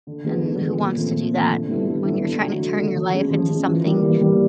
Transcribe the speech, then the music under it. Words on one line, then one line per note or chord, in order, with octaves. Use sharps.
and who wants to do that when you're tryna turn your life into something
D3
F3 G#3 B3
D3
F3 G#3 B3
A#2
F3 A3 C4
A#2
F3 A3 C4
D3
G3 B3 E4 A4
D3
G3 B3 E4 A4
D3
F#3 A3
D3
F#3 A3
F3
G#3 C#4
F3
G#3 C#4
E3
G3 A#3
E3
G3 A#3